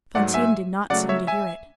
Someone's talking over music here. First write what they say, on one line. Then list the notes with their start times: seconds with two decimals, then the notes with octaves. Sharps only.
Fantine did not seem to hear it.
0.15 G#2 F#3 A3 D5 F#5
0.34 E5 G#5
0.90 C#3 F#3 A3 D5 F#5
1.09 C#5 E5
1.27 E5 G#5